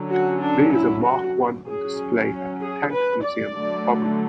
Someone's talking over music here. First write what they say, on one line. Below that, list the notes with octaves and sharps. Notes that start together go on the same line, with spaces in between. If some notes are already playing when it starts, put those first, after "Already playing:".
There is a Mark One on display at The Tank Museum, Bovington.
Already playing: D3 F#3 C#4
F#4
D4
E4
F#4
F#3 C#4 G#4
G#4
B4
D5
D3 F#3 A3